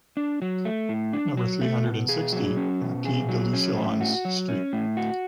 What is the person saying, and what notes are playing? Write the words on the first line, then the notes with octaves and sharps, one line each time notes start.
Number three hundred and sixty, Maquis de Lucelans street.
D4
F#3
A3
A2
D4
F#3
A3
B2
G#4
F#3
C#4
B2
G#4
F#3
C#4
A2
F#4
F#3
C#4
A2
F#4